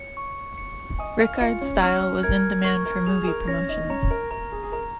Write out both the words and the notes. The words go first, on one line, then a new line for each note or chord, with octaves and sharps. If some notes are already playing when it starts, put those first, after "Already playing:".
Rickard's style was in demand for movie promotions.
Already playing: C#5 C#7
C#6
C#7
D#5 G#5 D#6
F5 F6
D#5
F4 F5 C#7
C#4 C#5
C#4 C#5 F6
A#4 G#6
A#4 C#6
A#4
G#4 F7
G#4
A#4
C#4 C#5 A#6
D#4 D#5
C#4 C#5 A#5
A#4
A#4 A#5
G#4
G#4
A#4 A#5